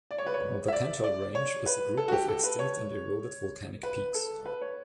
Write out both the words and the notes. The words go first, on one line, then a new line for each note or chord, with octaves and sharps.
The Cantal range is a group of extinct and eroded volcanic peaks.
D5
C#5
B4
C#5
E5
D5
D5
C#5
B4
A4
F#4
G4
A4
B4
C#5
B4
A4
B4
C#5